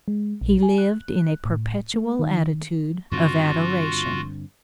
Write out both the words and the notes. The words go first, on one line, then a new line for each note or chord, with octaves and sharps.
He lived in a perpetual attitude of adoration.
G#3
A#1
G#5
F#6
A2
A3
D#3
G2 D3 C4 F4 F#4